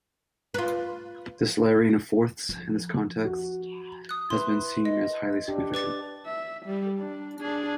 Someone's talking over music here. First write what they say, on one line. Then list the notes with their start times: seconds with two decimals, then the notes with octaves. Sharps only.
This layering of fourths in this context has been seen as highly significant.
0.54 F4 B4
2.49 F3
3.25 F#4
4.09 D#6 F#6
4.30 E4 B4 C6
4.85 D#5
5.48 D4 G4
5.74 B4 D6 A6
6.26 E5
6.66 G3
6.99 D4
7.41 D4 G#4